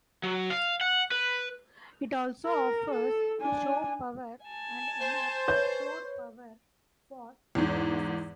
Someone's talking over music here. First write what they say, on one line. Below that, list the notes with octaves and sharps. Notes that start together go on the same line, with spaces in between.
It also offers show power and enough shore power for four buses.
F#3
F5
F#5
B4
A#4
A4
D4 G#5
G#5 A5
C5
B4 C#5 G6
E2 G#2